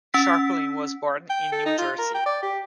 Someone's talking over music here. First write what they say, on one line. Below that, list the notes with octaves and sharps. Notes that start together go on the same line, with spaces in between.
Scharpling was born in New Jersey.
C#4 E6 B6
G5
A4
D#4
F4
A#4
G5
D5
G4